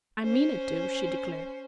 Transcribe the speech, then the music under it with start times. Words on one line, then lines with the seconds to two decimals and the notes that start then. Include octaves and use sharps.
"I mean it to," she declared.
0.22 C#4 C5